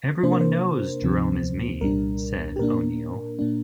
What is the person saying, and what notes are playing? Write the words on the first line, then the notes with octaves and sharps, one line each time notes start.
"Everyone knows Jerome is me", said O'Neal.
C3 A#3 D4 C5
A#4
C5
D2 C3 F3 C4
C2 A#2 G3 D4 A#4
G4
A#2 A#3 D4 A#4
A#2 A#3 D4